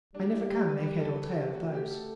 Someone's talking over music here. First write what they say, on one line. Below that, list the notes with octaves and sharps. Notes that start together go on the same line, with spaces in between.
I never can make head or tail of those.
G3 D4
E4
G4
B4
B4
A4
B4
G4
A3 F#4
G4
G4
A4